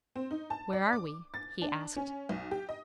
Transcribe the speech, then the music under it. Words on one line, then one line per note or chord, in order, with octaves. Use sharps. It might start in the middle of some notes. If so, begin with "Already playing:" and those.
'Where are we?' he asked.
C4
D#4
A5
D5
D6
A6
D4
C#4
B1
G4
D#5